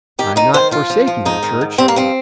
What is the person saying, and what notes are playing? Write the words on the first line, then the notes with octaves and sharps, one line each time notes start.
I am not forsaking the Church.
D#3 G4
D#3 D#4
D#3 C5
F3 F4
F3
F3
G#2 D#4
D#3
G#2
G2 C4
A#3
F3 C4